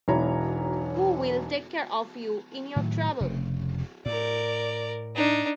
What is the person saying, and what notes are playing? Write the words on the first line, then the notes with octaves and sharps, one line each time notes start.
Who will take care of you in your trouble?
E1 B1 E4 C#5 A#5
A2 D#3 F#3
F1 C#3
A2 A#4 D5
D4 D#4